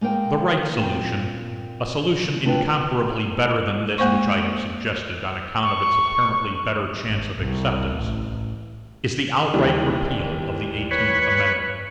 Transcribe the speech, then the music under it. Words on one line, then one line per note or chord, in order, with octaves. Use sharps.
The right solution--a solution incomparably better than this which I have suggested on account of its apparently better chance of acceptance--is the outright repeal of the Eighteenth Amendment.
G#3 A#3 C5 G5
A#2 C4
D#2 D4 F4 A4 B4 G5
G#3 A#3 C5 C#6
C#6
G#1
C2
A1
D#2 E3 G3
B4 C#5